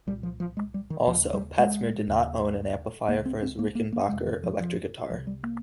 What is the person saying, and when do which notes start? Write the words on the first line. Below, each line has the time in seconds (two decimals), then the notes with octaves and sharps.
Also, Pat Smear did not own an amplifier for his Rickenbacker electric guitar.
0.07 C2 A#2 G3
0.23 F3
0.40 F3
0.57 G#3
0.74 G3
0.90 D#3
1.07 D#2 C#3 F3
1.33 G3
1.58 G#3
2.08 D#2 C#3
3.08 C#2 C#3 A#3
3.26 C4
3.42 C4
3.59 A#3
3.75 A#3
3.93 A#3
4.09 F2 C3 G#3
4.26 D#3
4.43 F3
4.60 F3
5.10 C2 C3 F3
5.27 G3
5.43 A#3